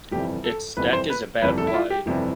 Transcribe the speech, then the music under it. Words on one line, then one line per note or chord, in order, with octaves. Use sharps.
Its deck is about wide.
G1 F2 C3 E3 G3 G4
A4
G1 F2 C3 E3 G3 B4
C5
B4
G1 F2 C3 E3 G3 B4
A4
E4
F4
G4
G1 F2 C3 E3 G3